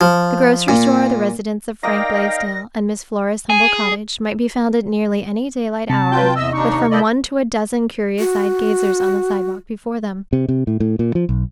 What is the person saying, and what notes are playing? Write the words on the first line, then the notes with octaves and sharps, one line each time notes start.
The grocery store, the residence of Frank Blaisdell, and Miss Flora's humble cottage might be found at nearly any daylight hour with from one to a dozen curious-eyed gazers on the sidewalk before them.
F3
A#2
D#4 A#4 D5 D#5 F5 G5 A#6
G#4
C3 A5
F#3 F4 B4 G5 G6
E2 D#5 E5 E6
D#2 D4 D#4 C#6
A#3 E4 A4 D5 D#5 G6
F#4
C3
C3
A2
A2
A#2
F3
B1